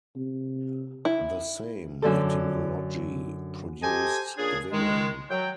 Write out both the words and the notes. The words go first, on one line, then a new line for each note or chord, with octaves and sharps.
The same etymology produced villein.
C3
E4
F#2 D3 A4
G4 A4 C5 D#5 G#5
A#2 C#4 D4 G#4
D#3 G#3
F#3 G5